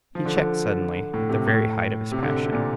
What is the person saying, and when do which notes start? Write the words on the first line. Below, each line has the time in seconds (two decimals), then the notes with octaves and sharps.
He checked suddenly at the very height of his passion.
0.15 F3
0.26 D3
0.37 D3
1.14 A2
1.29 C3
1.46 A2
2.12 C3
2.23 D3
2.33 C3
2.44 C3
2.52 A#2